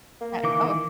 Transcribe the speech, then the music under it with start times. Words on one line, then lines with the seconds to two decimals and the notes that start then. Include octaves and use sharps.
Uh oh.
0.21 A#3
0.44 D#3 E3 D6